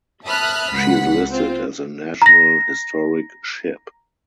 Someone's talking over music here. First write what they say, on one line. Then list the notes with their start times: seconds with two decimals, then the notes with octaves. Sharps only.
She is listed as a National Historic Ship.
0.25 E5 A5 B5 D#6 F6 F#6
0.73 C#2 F#5 B6
1.30 C4 F4
2.22 A#5 A#6